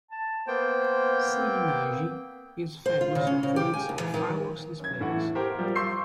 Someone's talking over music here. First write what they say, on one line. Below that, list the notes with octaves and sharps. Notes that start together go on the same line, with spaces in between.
Seinaiji is famous for its fireworks displays.
A5
A#3 B3 C5 G5
C4
C5
F4
C#3
C#4
C#3
G4
G#5
D#2
E3
D#3
F#2 G#6
A2 E3 F#5
G4 A#4 C5 G5
F3 G3 G4
C6 C#6 E6 G6 C7